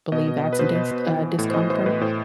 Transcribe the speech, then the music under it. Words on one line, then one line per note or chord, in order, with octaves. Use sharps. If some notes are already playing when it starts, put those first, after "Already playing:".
believe that's a dense uh, discomfort,
B2 D#5
B2
B2
B4
B2 C5
B2
B2
E3
E3
A2
C5
A2 D#5
E3 C5
A2 B4
A2 C5